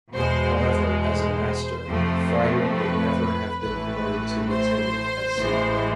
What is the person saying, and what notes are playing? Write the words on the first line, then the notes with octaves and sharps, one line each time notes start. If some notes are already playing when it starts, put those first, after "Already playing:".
However, as a Master, Fryer would never have been promoted to lieutenant at sea.
E2 B2 G#3 C5
C5
C5
F2 C3 F3 A3
B4
A1 A2 E3 A3 B4
C5
A1 A2 E3 G#3